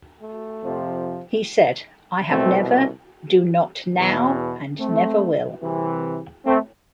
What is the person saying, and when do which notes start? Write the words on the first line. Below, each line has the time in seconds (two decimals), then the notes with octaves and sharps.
He said: I have never, do not now, and never will.
0.21 A3
0.63 F2 C3 F3
2.29 C2 B2 A3 C4
3.96 E2 B2
4.79 A3 C4
5.62 C2 C3 E3
6.45 A3 C4